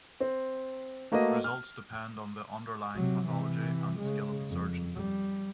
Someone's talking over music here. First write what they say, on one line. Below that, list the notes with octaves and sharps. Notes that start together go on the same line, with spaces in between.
Results depend on the underlying pathology and the skill of the surgeon.
C4
A3 A#3 F#4 B4 D#5
F6
C3 F#3
C3 E3
C#3 G#3
F2
G3